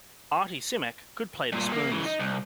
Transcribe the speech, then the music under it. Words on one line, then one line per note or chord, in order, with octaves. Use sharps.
Artie Simek could play the spoons.
G2 A#2
E2 A#3
C#3 E3
D#4
C2